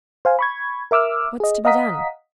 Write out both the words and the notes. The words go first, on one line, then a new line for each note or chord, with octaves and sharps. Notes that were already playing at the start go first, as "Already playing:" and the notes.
What's to be done?
C5 F5 G#5
B5 C#6 G#6
A#4 E5 D6 E6 F6
G#4 D#5
D#5 F5 F#5 A#5 D#6 B6